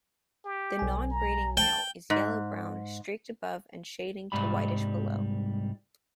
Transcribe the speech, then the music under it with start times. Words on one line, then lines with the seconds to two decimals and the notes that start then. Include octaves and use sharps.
The non-breeding male is yellow-brown, streaked above and shading to whitish below.
0.45 G4
0.79 B1 G#5
1.11 A#5
1.57 G5 A5
2.10 G#2
4.32 C2 G#2 G3 B5